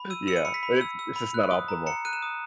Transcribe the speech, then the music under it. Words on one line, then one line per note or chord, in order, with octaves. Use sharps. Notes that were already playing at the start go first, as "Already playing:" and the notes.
Yeah. But it's it's just not optimal.
Already playing: B5
E6 D#7
E6 C#7
D#7
B5 C#7
B6
B5
E6
E6
B5
F#6
D#6
A#5
A#5 C#7
F#6 D#7
E7
D#6